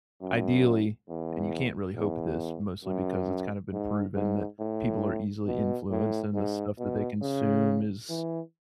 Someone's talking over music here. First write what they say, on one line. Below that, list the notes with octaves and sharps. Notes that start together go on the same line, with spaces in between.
ideally and you can't really hope this mostly because it's kind of been proven that people are easily influenced and the stuff that they consume is
F#2
E2
E2
F#2
G#2
G#2
A2
B2
A2
G#2
B2
C#3
E3